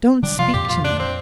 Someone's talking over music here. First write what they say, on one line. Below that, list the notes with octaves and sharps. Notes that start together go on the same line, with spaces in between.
Don't speak to me.
D3 G3 D4
C3 F3 F4
F2 A#2 G4
F4
D4
C4